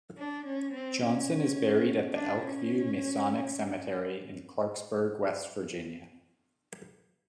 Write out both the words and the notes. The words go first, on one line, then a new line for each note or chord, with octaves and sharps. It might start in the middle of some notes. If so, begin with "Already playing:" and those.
Johnson is buried at the Elkview Masonic Cemetery in Clarksburg, West Virginia.
D4
C#4
C4
C#4
D4
C#4